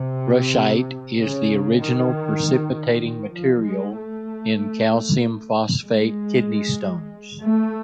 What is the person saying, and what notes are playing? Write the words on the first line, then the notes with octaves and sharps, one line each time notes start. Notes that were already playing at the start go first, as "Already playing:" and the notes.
Brushite is the original precipitating material in calcium phosphate kidney stones.
Already playing: C3
C#3
D#3
D#3
F3
G#3
A3
G#3
A3